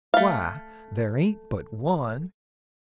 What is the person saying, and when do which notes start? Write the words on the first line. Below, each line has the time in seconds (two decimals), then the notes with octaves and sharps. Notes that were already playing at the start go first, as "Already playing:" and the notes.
"Why, there ain't but one."
0.14 A3 F5